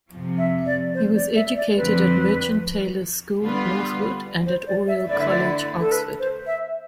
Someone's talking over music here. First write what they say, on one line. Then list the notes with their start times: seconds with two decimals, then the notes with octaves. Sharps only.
He was educated at Merchant Taylors' School, Northwood, and at Oriel College, Oxford.
0.12 F2 C3 F3
0.38 E5
0.66 D5
0.94 C5
1.15 D5
1.36 E5
1.56 D5
1.76 F2 D3 F3 C4 B4
3.43 D3 G3 B3 F4 B4
4.46 C5
4.67 D5
4.88 E5
5.08 D3 A3 E4 B4 D5
5.19 E5
5.29 D5
5.80 A4
5.92 B4
6.19 C5
6.47 E5